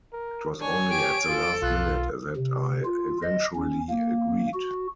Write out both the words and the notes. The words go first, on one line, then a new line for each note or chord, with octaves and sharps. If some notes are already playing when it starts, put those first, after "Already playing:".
It was only at the last minute that I eventually agreed.
A#4
D4 C#5 G#5
G4 D7
F4 A4
B1 F4 F#6
C3
F4
D#5
C#4
A#3
F#4